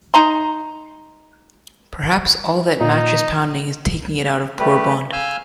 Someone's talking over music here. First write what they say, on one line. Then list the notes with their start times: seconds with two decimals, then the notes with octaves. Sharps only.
Perhaps all that mattress pounding is taking it out of poor Bond.
0.14 D#4 A#5 C6
2.81 A#2 D#4
4.59 G3 A3 G4 B4
5.13 F5 G#5 E6 F6 G6